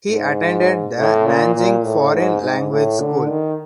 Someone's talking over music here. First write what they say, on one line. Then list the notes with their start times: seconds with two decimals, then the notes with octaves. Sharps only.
He attended the Nanjing Foreign Language School.
0.10 G#2
0.97 A2
1.26 A#2
1.55 A#2
1.84 A2
2.14 G#2
2.42 G#2
2.71 A2
3.00 D3
3.29 D#3